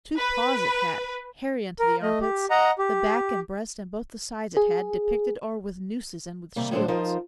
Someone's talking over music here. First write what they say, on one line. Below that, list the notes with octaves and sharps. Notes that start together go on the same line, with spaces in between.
Two paws it had, hairy unto the armpits; The back, and breast, and both the sides it had Depicted o'er with nooses and with shields.
B4
A#4
A3 D#5
G4
D#5 F#5 A#5
G4
G#4
C3 D#3 G3 A#3
A2 D3 F#3 G#3 D4 C5
F3 D#4 F4 A#4 C5